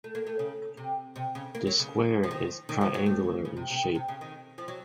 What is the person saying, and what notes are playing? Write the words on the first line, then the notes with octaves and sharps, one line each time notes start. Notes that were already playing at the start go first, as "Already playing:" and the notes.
The square is triangular in shape.
A3
A#3
A3
C#3
C3
C3
C#3
A#3
F#3
C#3
F3
D#3
D#3
F3
F#3
A3
C#3
C3
C3
C#3
C3
C#3
D#3
F3
F#3